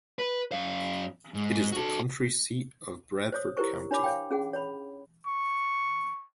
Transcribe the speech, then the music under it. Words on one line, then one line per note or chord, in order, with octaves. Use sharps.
It is the county seat of Bradford County.
B4
F#2 F5
G#2
F#4 A4
C5 C#5 D#6
E4 G4 A#4 C5 C#6
D4 C#5 B5 D6
C#5 F5 G5
C#4 G#4 F#5
C#5 B5
C#6